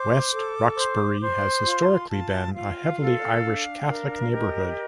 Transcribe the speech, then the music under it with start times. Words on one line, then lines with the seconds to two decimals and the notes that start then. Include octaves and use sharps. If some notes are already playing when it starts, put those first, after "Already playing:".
West Roxbury has historically been a heavily Irish Catholic neighborhood.
Already playing: C5 D6
0.32 A4
0.76 C5
1.21 C5
1.65 F4 C6
2.09 F4 A5
2.54 F4 F5
2.98 A4
3.43 D4
3.87 A#4
4.22 F5
4.31 G4 D#5